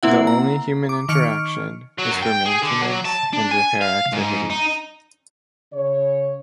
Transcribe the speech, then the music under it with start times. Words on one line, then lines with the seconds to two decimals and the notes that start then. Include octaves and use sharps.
The only human interaction is for maintenance and repair activities.
0.03 A#3 C4 E4 F#5
0.27 A#5
0.89 D6
1.09 D#3 C#6 F6 C#7 D7
1.98 F#3
2.11 F#2
2.22 G5
2.45 G#4
2.62 D3
2.81 F#3
3.05 A5
3.33 D4
3.51 G#5
3.82 F5
4.13 G#2
4.50 D#4
5.73 C#3 C#5